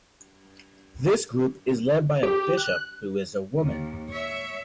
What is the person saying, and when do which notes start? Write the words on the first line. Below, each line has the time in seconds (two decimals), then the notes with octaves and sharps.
This group is led by a bishop who is a woman.
2.23 G4
2.57 F#6
3.58 D#2
4.09 C#5 E5